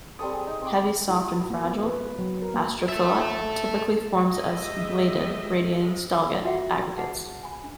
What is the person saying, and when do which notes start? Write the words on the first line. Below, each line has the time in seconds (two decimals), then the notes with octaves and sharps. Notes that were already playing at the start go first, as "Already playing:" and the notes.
Heavy, soft and fragile, astrophyllite typically forms as "bladed", radiating "stellate" aggregates.
0.19 G3 C4 A4 D#6
0.33 G#4
0.47 D#4
0.61 C4 D6
1.08 E4
1.35 F#4
1.50 A#3
1.64 B3
1.83 B4
2.19 F#3
2.42 A#4
2.54 A#3
2.88 A4 E5
4.27 G#3 G4 D#5 E5
6.44 F4 F#4 E5 F#5 G5
6.98 G#4 B4 F#5 A5
7.43 G#5 B5
7.64 D4